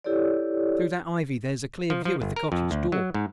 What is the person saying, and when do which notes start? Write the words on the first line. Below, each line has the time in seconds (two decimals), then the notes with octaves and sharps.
"Through that ivy there's a clear view of the cottage door."
0.04 E4 G4 A4 C#5 D5
1.90 F3
2.05 F3
2.22 G1
2.36 A#4
2.52 F2
2.71 D2
2.92 F#3
3.14 G#2